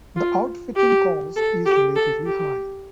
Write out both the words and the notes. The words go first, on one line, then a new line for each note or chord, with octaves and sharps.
The outfitting cost is relatively high.
F4
G4
A4
G4
A4
G4